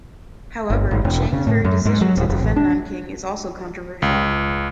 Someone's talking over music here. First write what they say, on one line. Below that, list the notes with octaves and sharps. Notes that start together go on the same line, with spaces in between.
However, Chiang's very decision to defend Nanking is also controversial.
G1
G#1
E1
C#3
A2
F#2
G#2
F#3
D1
F1
A1
D4
C#2